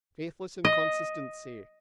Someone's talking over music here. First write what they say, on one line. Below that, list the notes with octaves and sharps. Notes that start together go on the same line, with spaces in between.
Faithless inconsistency!
D#5